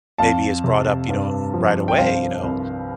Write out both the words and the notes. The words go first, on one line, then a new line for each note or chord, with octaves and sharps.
maybe is brought up, you know, right away, you know?
F2 F5 A5
C3
G2
F3
G5
C2 C5 F5
C2